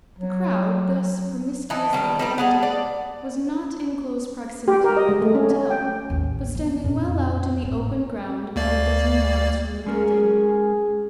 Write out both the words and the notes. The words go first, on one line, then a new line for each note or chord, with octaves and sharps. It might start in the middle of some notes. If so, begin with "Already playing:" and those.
The crowd, thus promiscuously collected, was not in close proximity with the hotel; but standing well out in the open ground, about a dozen yards from the building.
F#3
E3 D#4 A5
D#3 G3
G3 D#4 G4
B3 G#4 A5
D5
G4
A#4
D#5
G#3
A3
C#4
C#4
G5
A1 D#2
E3 B3
F2 A#2
G#1 A2
C4
D2 A#3 D5
G#3 C#4 G#4 A#4